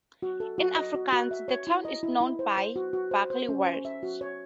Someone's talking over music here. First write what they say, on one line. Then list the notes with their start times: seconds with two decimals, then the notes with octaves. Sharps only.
In Afrikaans the town is known as Barkly-Wes.
0.23 F#4
0.40 A4
0.58 F#4
0.76 D#5
0.95 F#4
1.13 F#4
1.31 E5
1.48 C#5
1.67 E4
1.85 D#5
2.03 E4
2.21 E4
2.39 C5
2.57 C5
2.76 F#4
2.93 F#4
3.11 C5
3.30 C5
3.49 C#4
3.66 C5
3.85 E5
4.03 F#4
4.21 C#5